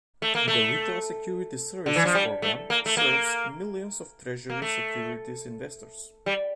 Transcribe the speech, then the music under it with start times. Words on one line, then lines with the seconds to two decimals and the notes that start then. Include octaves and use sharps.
The Retail Securities Services program serves millions of Treasury securities investors.
0.22 A3
0.35 A#3
0.48 A3
1.86 D3
1.96 E3
2.05 F3
2.15 G3
2.42 A3
2.70 A#3
2.86 A3
2.97 A#3
4.49 A#3
4.62 A3
6.26 G3